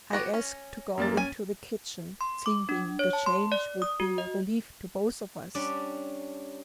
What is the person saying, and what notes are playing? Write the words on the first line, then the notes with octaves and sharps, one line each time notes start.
I asked to go into the kitchen, thinking the change would be a relief to both of us.
B3 F#4 G4 A#6
C#4
F#2 A#3 A6
C#4 G#5 D#7
C6
D6
D4
C#5
A5
C6
D5
D#6
F#4
D#5
G3 C#4 D4 D5